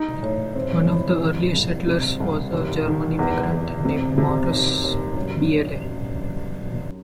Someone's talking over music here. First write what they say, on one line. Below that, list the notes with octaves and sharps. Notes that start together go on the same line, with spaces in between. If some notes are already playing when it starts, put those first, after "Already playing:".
One of the earliest settlers was a German immigrant named Maurus Biehle.
Already playing: D#4
A2
C4
E4
C2
C2
C3
C2
D#2
D#3
E2
E2
C3
C3
D#2
D#2
F#2